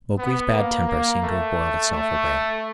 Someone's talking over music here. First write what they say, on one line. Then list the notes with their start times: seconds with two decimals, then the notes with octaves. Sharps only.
Mowgli's bad temper seemed to have boiled itself away.
0.19 B3
0.54 A#3
0.87 A#3
1.23 A3
1.92 A3